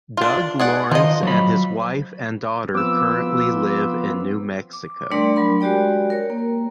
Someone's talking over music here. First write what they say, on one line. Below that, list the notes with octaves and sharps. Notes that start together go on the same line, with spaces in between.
Doug Lawrence and his wife and daughter currently live in New Mexico.
D4 F4
G#4 D5 F#5
D#3 F3 D#5
F#3 B5
F3 B3 C4 D6 E6
D6
G3 A3 D4 A#4 D5 C6
F#3 A#4 B5
G#3 F#4 G4 D5 G5
A#4 C#5
A#3